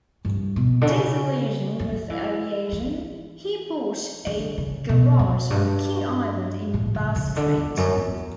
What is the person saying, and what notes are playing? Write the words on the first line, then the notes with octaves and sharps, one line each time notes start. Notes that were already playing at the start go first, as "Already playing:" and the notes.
Disillusioned with aviation, he bought a garage on King Island in Bass Strait.
G2
B2
D3
C#3
F#3
E3
E3
D3
C#3
B2
F#2
G2
A2
C#3
C#3
D3
E2
F#2
E2